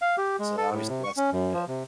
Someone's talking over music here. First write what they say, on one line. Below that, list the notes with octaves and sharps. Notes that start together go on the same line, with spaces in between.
so obviously that's not good.
F5
G4
G#3
A4
A2
C3
C#6
C#4
F#2
F3
C3